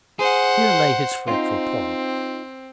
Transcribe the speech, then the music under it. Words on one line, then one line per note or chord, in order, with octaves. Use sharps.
Here lay his fretful point.
G#4 C5 F#5
C4 D#4 F4